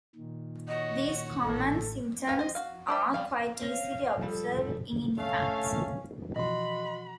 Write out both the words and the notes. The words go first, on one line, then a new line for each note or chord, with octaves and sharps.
These common symptoms are quite easily observed in infants.
A#2 D#3
F#4 C#5 D#5
A1 A4
C4 B4 F5
C5 D#5
F#4 F5
D4 C5 E5
G3 F5
C4 C#4 F5 A#6
F3 G3 A4
A3 C#4 F5
B2 E3 F3 F#4 D#5 B5 C6